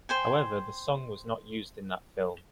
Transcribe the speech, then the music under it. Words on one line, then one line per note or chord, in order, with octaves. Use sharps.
However, the song was not used in that film.
C5 G5 G#5